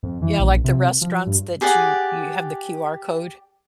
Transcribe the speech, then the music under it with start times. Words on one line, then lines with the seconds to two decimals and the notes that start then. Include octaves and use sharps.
Yeah, like the restaurants that you you have the QR code,
0.03 F2
0.22 E3
0.39 A#1
0.64 C3
1.01 F3
1.27 G2
1.61 G4 G#4 D5 F#5